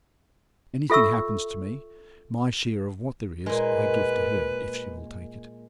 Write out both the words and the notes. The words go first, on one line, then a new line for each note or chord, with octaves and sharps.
If anything happens to me my share of what there is I give to her, if she will take it.
F4 A4 E5 C#6 E6
A#2 G#3 B4